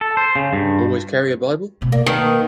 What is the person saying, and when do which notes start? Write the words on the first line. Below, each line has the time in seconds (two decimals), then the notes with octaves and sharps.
Always carry a bible?
0.01 A4
0.17 C5
0.36 C#3
0.53 G2
1.81 B2 A3
1.92 A#3 D5
2.06 D#3 G#3 B4